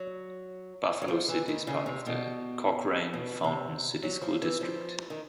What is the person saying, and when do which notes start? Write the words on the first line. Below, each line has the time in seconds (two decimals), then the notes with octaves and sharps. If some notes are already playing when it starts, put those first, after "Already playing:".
Buffalo City is part of the Cochrane-Fountain City School District.
Already playing: F#3
1.02 F#3
1.08 F3
1.28 E3
1.48 D#3
1.67 C#3
1.86 C3
2.06 B2
3.14 B2
3.44 C3
4.03 F#3
4.22 F3
4.42 E3
4.61 F3
5.10 D#3